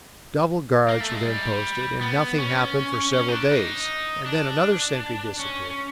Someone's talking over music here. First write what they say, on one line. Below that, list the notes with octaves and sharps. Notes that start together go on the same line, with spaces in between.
Double guards were then posted, and nothing happened for several days--and then another sentry disappeared.
A#3
A3
G#3
G3
B3
C#4
C#4
D#4
D4
D#4
D4
C#4